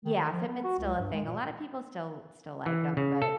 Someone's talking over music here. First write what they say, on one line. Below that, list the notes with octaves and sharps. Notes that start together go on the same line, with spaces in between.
Yeah, Fitbit's still a thing, a lotta people still still like 'em, but
D#3
D#3
F3
B3
F#4
C#2
G2
G#3
A#2
E3
C#3
A4